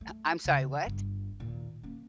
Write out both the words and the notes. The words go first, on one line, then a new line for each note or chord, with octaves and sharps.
Uh, I'm sorry, what?
A3
C#3 E3
G1
D#2 A#2
A#3 C#4